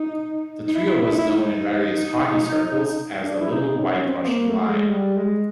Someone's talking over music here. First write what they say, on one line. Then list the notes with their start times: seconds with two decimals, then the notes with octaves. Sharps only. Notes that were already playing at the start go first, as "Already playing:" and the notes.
The trio was known in various hockey circles as the "Little White Russian" line.
Already playing: D#4
0.68 D#4
0.76 E4
1.03 E4
1.11 D#4
1.19 E4
1.31 D#4
3.24 D4
3.41 E4
3.51 D#4
3.79 C#4
4.07 C4
4.28 A#3
4.48 A3
4.68 G#3
4.90 G3
5.17 G#3